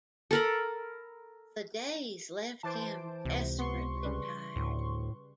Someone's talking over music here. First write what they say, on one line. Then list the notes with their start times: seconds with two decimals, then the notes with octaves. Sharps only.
The days left him desperately tired.
0.31 A4 A#4 B5
2.63 E3 C5 A5 D6 D7
3.25 C#2 C3
3.59 B3 C6 C#6
4.03 C#3 G3 B4
4.56 D2 A2